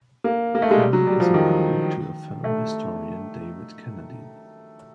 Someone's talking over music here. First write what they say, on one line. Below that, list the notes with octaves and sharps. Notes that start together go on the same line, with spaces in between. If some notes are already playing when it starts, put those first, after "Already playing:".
Colley is married to fellow historian David Cannadine.
A#3
A#3
A3
G#3
G3
F#3
G3
F3
D#3
A3